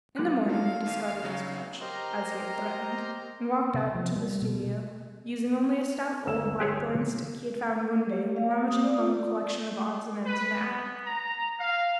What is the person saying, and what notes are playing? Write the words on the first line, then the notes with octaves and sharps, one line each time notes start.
In the morning he discarded his crutch, as he had threatened, and walked out to the studio, using only a stout old blackthorn stick he had found one day when rummaging among a collection of odds and ends in the attic.
B1 D6 F#6
F#3 A4 F5
D#2 D#4
C#3 F#3 F#4
G4 A#4 C5 D#5 A#5 C6
C3
F3
G3
B2
G1 E6 E7
G4 G#4 C#5
G4
F5
A#3
D#6
D5
F4
D5
B4
B3
A#5
F5